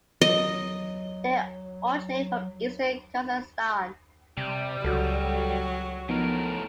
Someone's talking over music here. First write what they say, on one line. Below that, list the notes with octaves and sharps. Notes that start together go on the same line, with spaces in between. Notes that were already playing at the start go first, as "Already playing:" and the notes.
They originate from eastern Kazakhstan.
F#3 D#5
C3 G3
C#2 F#3 F#4 A4
A2 F3 B3 D#4 A#4